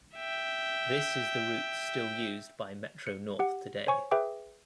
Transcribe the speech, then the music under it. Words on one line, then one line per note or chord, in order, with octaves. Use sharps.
This is the route still used by Metro-North today.
E5 G5
C#7
G4 F#5
C5 C#5 G#5 C#6
G#4 B4 E5 G5 D6